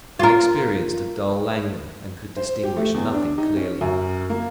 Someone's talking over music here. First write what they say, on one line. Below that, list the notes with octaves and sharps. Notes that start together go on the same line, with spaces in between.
I experienced a dull languor and could distinguish nothing clearly.
F4 A#4
C5
G4
A3
E2
D4
D#4
C#4
F#2
A#3